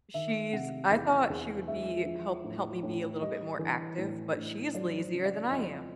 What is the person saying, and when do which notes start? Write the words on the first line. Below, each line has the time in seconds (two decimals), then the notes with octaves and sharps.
she's I thought she would be help help me be a little bit more active, but she's lazier than I am.
0.14 D#3 E5
0.53 C3 F#5
0.91 E2 F5
1.30 E2
1.67 G#3 E5
2.05 F3
2.44 A2
2.83 A2
3.21 G3 D#5
3.59 E3
3.98 A2
4.36 A2
4.74 F#3 D5
5.00 C5
5.13 C#3
5.26 D5
5.51 F2 D#5